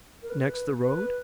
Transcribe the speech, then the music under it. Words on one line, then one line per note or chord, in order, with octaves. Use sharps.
"Next the road?"
A#4
B4
B4